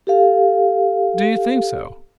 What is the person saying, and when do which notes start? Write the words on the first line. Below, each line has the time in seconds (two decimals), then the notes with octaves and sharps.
"Do you think so?"
0.07 G4 A4 F5